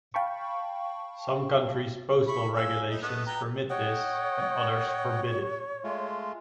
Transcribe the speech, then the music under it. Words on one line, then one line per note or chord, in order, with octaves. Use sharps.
Some countries' postal regulations permit this and others forbid it.
F5 G5 A5 B5 C#6
E4 B5 C#6
F5 G#5 E6
D#4 E4
A3 B3 D#5
B3 G5 A#5
C#5 D#5 F#5 G5
G#3 A3 F4